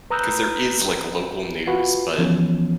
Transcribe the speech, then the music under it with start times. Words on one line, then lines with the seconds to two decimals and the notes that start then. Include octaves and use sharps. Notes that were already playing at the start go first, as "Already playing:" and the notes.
'cause there is, like, local news, but
0.10 B4 A#5 D#6 E6 F#6 G6
1.67 F4 F#4 B4
2.18 E3 F3 B3 C#4